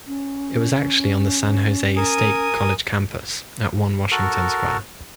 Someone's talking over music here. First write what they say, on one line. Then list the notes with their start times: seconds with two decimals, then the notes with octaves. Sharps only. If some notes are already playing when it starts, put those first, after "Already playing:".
It was actually on the San Jose State College campus at One Washington Square.
0.07 C#4
1.97 A#4 G#5 D#6
4.11 F#4 A4 A#4